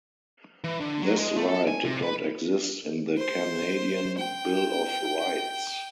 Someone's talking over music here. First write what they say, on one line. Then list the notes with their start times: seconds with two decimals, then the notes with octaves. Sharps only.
This right did not exist in the Canadian Bill of Rights.
0.64 E3
0.80 D3
1.02 F#3
1.19 G#3
1.37 A3
1.49 A4
1.67 G#5
1.85 C3
2.03 B4
3.18 C5
4.17 G5